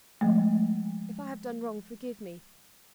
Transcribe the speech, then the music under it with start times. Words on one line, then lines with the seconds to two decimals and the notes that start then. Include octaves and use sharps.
If I have done wrong, forgive me.
0.21 F3 G#3 A3